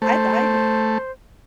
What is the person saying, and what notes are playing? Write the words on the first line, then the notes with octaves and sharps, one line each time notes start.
I I
A3 C5